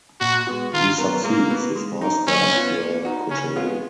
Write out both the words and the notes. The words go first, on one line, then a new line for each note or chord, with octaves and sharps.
He succeeds his master Pierre Cochereau.
A#2 F#4
G#3 B3 F#4
D#3 F4
F#3 B3 F4 A#4
G#3 A#3
B3 F#4
G#3
D#4 A#4
F#3 C#4
B3 F4
A#3
D#4 F#4
C#3 C#4
G#3 B3 F4